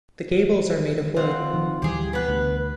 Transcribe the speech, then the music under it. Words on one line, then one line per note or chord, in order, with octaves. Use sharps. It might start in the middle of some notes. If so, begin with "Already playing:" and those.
The gables are made of wood.
C4 F4 F#5
D#3 F3
D2 E3 G3 G4 G#4
B3 B4
D2